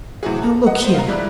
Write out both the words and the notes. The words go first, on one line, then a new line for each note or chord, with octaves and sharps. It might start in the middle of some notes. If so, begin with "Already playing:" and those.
Now, look here!
A2 C3 E3 F#3 F#4 G#4
A4 A#5
D#5 F#5
B3 C5
F5 A#5
F2 G3 G#3 E4 D5 F#6